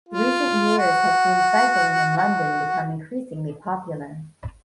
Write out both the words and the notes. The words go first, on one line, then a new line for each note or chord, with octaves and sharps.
Recent years have seen cycling in London become increasingly popular.
F4
F#4
F#4